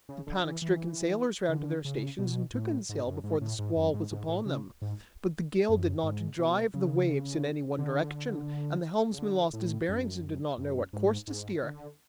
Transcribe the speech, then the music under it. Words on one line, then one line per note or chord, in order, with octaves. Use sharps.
The panic-stricken sailors ran to their stations and took in sail before the squall was upon them, but the gale did not drive the waves in any one direction and the helmsman lost his bearings and did not know what course to steer.
C#3
D3
E3
E3
D3
C#3
B2
A2
G#2
F#2
G#2
A2
G#2
F#2
G#2
G#2
A2
C#3
G#2
F#2
G#2
B2
C#3
D3
C#3
D3
A2
F#2
F#2
G#2
G#2
D3